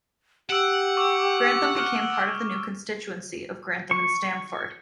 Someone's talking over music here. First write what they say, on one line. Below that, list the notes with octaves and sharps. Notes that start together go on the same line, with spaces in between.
Grantham became part of the new constituency of Grantham and Stamford.
G4 F#5 E6 D7 E7
C#6 D6 E6
C#6 F6
C#6